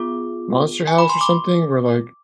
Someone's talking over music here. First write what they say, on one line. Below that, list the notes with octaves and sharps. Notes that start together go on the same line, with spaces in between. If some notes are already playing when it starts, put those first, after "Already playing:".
Monster House or something where, like,
Already playing: B3 F4 G#4 D6
G#5
B5
C6
D6